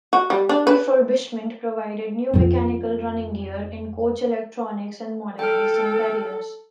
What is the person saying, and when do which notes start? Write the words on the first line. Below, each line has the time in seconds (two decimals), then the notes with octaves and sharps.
Refurbishment provided new mechanical running gear, in coach electronics and modernised interiors.
0.13 F#4
0.30 G3
0.49 D4
0.67 B4
2.34 F2 F4
5.39 A4 G5 F6